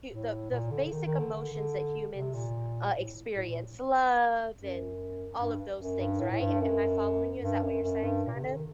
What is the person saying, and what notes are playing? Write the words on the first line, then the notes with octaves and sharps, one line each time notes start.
hu the the basic emotions that humans, uh, experience, love and all of those things, right, am am I following you? Is that what you're saying kind of?
A2
A#2
D3
D3
D#3
D#3
D3
D3
D3
C3
A#2
A2
A2
A#2
F#2
G2
F#2
G2
A2
A2
G2
F#2
G2
F#2
F#2
G2
A#2
C3
D3
D#3